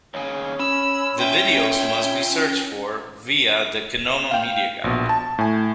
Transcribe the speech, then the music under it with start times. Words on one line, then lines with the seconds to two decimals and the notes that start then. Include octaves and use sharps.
The videos must be searched for via the Kinoma media guide.
0.14 D#2 C#3 C#5
0.59 C#4 B5 E6
1.18 F4 E5 G5
4.31 F5 G5
4.84 A#1 B2
5.09 A5
5.38 A2 G#5